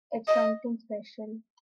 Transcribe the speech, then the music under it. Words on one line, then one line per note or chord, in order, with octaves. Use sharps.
It's something special.
D#5